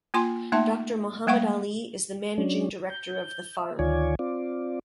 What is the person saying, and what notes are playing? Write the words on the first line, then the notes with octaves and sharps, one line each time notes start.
Doctor Mohammad Ali is the Managing Director of the farm.
A#3 F4 G#5 C6
A3 A#3 D#4 E5 A5
G3 A3 A#3 F5 F#5 C#6
F#3 C#4 D4
G6
E5
D2 D#3 F4 C#5 D5 G#5
C4 F4 D5